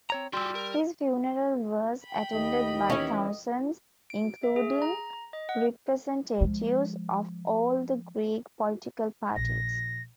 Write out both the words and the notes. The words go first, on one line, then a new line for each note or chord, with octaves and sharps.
His funeral was attended by thousands, including representatives of all the Greek political parties.
C4 C#5 A#5
G3 F#4 G4 C6 E6
A#4
G5 B5
D#2 D#5
E3 C#4
D7
E5
G#4
A#5
D#5
F#5
F3 G#3
A#1 A#2 A#6